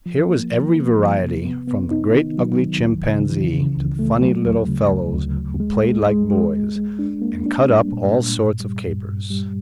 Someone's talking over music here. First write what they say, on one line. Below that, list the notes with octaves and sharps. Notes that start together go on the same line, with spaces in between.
Here was every variety, from the great ugly chimpanzee to the funny little fellows who played like boys, and cut up all sorts of capers.
F3
A#3
F3
A#3
F3
C3
B3
B3
D#4
D#3
F#3
D#3
C#2
C#3
E3
C#3
C#2
A3
F#3
D2
C#3
D2
D2
D2
G#3
G#3
G#3
G#3
G#3
G#3
D4
A#3
D4
G3
A#2
A#2
G2
G3
G2
G2
G3